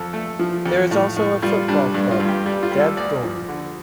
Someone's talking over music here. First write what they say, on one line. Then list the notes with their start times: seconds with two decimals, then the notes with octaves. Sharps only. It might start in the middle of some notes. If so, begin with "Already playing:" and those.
There is also a football club, Dev Doorn.
Already playing: F2 A4
0.13 A3
0.39 F3
0.66 F2
0.91 A2
1.16 A2
1.42 G3 F4
1.68 G3 D4
1.94 G2 D4
2.11 F4
2.20 G2
2.29 G4
2.46 G3 G4
2.63 F4
2.72 G3
2.80 A4
2.97 D2 D5
3.23 F3
3.48 D3